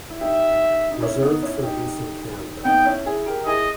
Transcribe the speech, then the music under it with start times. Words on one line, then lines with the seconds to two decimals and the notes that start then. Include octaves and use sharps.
Reserved for use in Canada.
0.10 E4
0.21 D#4 G4 E5
0.91 D#4
1.02 C#4 E4
1.22 B3 D#4
1.42 C#4 E4
1.63 D#4 G4
2.65 B3 D#4 G5
2.85 C#4 E4
3.05 E4 G#4
3.26 G4 A#4
3.46 E4 G#4 D#5